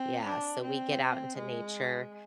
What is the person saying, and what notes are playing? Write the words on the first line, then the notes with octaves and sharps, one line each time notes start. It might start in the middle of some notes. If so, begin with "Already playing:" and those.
yeah, so we get out into nature.
Already playing: C4
D4
C4
G#3